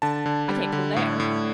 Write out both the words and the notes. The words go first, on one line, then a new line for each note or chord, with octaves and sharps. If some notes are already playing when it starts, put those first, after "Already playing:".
I can't go there.
D3 A5
D3
G3
D3
A2
A2